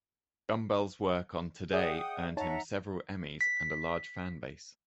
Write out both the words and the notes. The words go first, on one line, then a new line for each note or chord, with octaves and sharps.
Gumbel's work on "Today" earned him several Emmys and a large fanbase.
G#4 D5 E5 F#5 G5 D#6
D#4 C#5 E5 F#5 A5 A#5
B6